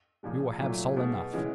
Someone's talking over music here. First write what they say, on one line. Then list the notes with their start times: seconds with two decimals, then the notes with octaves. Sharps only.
"We will have salt enough."
0.23 A#2 F3 G#3
0.59 A#2 F#3 A3
0.97 B2 G#3
1.33 C#3 E3 G#3